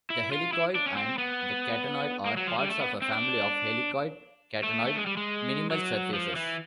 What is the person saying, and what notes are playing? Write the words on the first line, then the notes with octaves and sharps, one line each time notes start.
The helicoid and the catenoid are parts of a family of helicoid-catenoid minimal surfaces.
E4
F4
E4
D4
C#4
C4
B3
A#3
F#3
F3
G3
A3
B3
C4
D4
A3
A3
G#3
G3
G#3
F#3
F3
E3